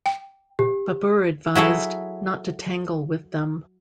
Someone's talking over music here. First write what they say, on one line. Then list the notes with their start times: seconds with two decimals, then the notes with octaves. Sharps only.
Babur advised not to tangle with them.
0.06 G5
0.59 G4
1.55 F#3 E4 G#4 A4